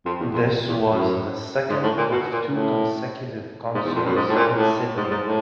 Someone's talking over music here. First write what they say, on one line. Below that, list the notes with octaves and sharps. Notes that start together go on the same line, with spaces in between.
This was the second of two consecutive concerts in Sydney.
F2
E2
F2
E2
F#2
G#2
A2
A#2
B2
A#2
A2
G#2
E2
F2
F#2
G#2
A2
A#2
A2
G#2
G#2
A2